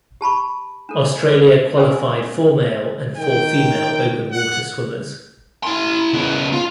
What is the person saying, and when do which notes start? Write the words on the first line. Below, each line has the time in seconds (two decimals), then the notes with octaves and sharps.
Australia qualified four male and four female open water swimmers.
0.21 G4 A5 B5 C#6
0.89 D4 A4
1.26 G#4 B4 C#5
1.78 C#4 G4 A#4 G#5 D#6 E6
3.17 D#3 G5
4.32 F#5
5.63 E4 C6
6.13 C#3 B3
6.52 F4